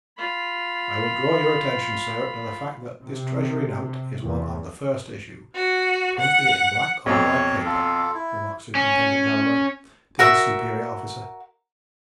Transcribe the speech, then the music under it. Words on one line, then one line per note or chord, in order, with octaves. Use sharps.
"I would draw your attention, sir, to the fact that this Treasury note is one of the first issue--printed in black on white paper," remarked Superintendent Galloway to his superior officer.
F4 B5
C3
E2
F#4
F#5
B1 F2 C#5
F4 A4
E4
C#4
F#4 A#4 E5